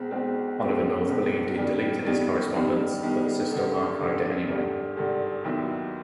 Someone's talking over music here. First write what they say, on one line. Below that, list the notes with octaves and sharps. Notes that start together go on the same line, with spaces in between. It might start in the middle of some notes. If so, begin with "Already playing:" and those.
Oliver North believed he had deleted his correspondence, but the system archived it anyway.
Already playing: B1 B2 G#3 C4
B1 B2 G#3 C4
B1 B2 G#3 C4
B1 B2 G#3 C4
G2 D#3 G3 B3
G2 D#3 G3 B3
G2 D#3 G3 B3
G2 D#3 G3 B3
G#1 G2 D3
G#1 G2 D3
G#1 G2 D3
G#1 G2 D3
D#2 D#3 F#3 B3 E4